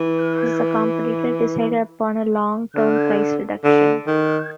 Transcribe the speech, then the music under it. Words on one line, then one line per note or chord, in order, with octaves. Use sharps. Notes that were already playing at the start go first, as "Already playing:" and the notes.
Has the competitor decided upon a long-term price reduction?
Already playing: E3
D3
D3
D#3